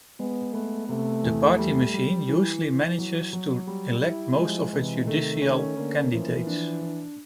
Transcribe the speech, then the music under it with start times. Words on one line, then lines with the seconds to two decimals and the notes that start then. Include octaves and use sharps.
The party machine usually manages to elect most of its judicial candidates.
0.19 G#3 B3
0.54 A3 B3
0.89 C3 A3
1.24 E2
1.58 G3
1.94 G3
2.28 E3
2.63 E3
2.98 F#3
3.33 F#3
3.67 G3
4.03 E4
4.38 F3 G#3
4.72 C3 E3
5.07 D#3 A3
5.42 D#3 C#4
5.77 D3 A#3
6.12 E3 F3
6.47 D4
6.82 D4